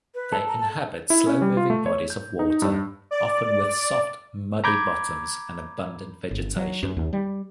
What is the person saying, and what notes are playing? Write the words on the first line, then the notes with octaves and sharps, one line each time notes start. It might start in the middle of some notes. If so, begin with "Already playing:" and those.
They inhabit slow-moving bodies of water, often with soft, muddy bottoms and abundant vegetation.
B4
A4
A#5
A5
E4
C#4
G3
F4
A3
C#5
G6
D#4
G2
D5
A#5 B5 D6 G6 G#6
G1
F#3
F#2
D#2
G3